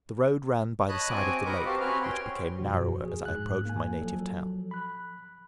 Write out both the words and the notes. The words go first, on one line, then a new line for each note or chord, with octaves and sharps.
The road ran by the side of the lake, which became narrower as I approached my native town.
C#5 D#5 A5 B5 F#6
C4 F#4 G#5 D6
A#4 B4 D#5 C#6 D6
C4 F#4 G4 C5 F5 A5
C4 C#4 F#4 B4 F6
C#5 G5 C6
F#2 B2 F3 F#4
G#4
G#2 F#6
A#3 G#5
F3 F#3 A4
B5 F#6